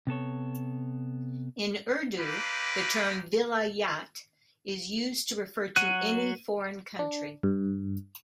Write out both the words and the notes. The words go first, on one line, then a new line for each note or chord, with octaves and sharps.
In Urdu, the term "Vilayat" is used to refer to any foreign country.
C3 B3 A4 C#5
G3 G#3 A#3 G4 B4
F#3 F#4 F#6 D#7
D4
G2